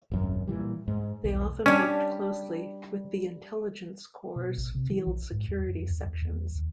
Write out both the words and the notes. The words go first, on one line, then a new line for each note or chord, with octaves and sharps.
They often worked closely with the Intelligence Corps' Field Security sections.
D#1 G#1 F#2
A#2 C#3 E3 G3
G#2
B1 E2
G3 C#4 D4
B2
A1
C3
E3
A#1
G#2
E2
F2
E2
E2
E2
D#2